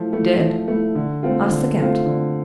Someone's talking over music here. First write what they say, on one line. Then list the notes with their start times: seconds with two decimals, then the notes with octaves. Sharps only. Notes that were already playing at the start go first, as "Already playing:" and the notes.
"Dead?" asked the captain.
Already playing: F3 A3 E4
0.12 A3 E4
0.40 F3
0.68 A3 E4
0.95 D3
1.23 A3 C4 F4
1.51 D3
1.78 A3 C4 F4
2.06 D3